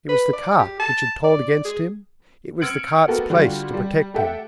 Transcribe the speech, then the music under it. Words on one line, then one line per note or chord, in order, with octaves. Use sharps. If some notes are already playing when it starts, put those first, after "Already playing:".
It was the cart which had told against him, it was the cart's place to protect him.
B4
D5
G4
A5
D5
G#4
E6 F6 G#6 C#7 D7 F#7
A3 B3 F#4 G4 A4 A#4
D3 G3 F4 F#4
G3
A3 G4 A4 E5 F#5 G5